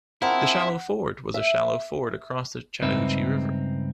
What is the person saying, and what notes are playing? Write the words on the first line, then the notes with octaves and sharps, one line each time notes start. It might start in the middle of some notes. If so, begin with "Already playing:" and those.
The Shallow Ford was a shallow ford across the Chattahoochee River.
C4 D4 E4 F4 G#4 A#4 F#5
E5
C#2 G2 C4 D#4 B4 E5